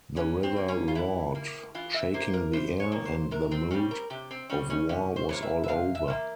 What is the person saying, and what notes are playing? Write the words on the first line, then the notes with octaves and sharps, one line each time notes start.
The river roared, shaking the air, and the mood of war was all over.
E3 C#4
C4
A#3
C#4
F4
E3 E4
A#3
E3 F4
E5
A#3 C5
A#4
E3 C5
C#5
A#3
C5
C3 A#4
C4
G3 C4 C#4
A#4
C3 G4
C4
G3 C4 C#4
C#4
C3 C#4
C5
E3 A#3 C#5
E5
E5
C3 F5
E5
E3 A#3